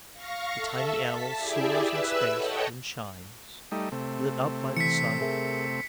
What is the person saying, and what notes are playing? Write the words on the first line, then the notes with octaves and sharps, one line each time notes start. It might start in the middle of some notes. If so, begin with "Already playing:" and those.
The tiny animal soars in space and shines, lit up by the sun.
F5 C#6 A#6
A4 E5
A5 B6
E4 G4 G#4 D5 E5
B4 E5 E6 F#6
A4 C#5 D#5 F#5 G5
G3 A3 D#4
C3 A3
E3 B6 C#7
G#4 A#4 E5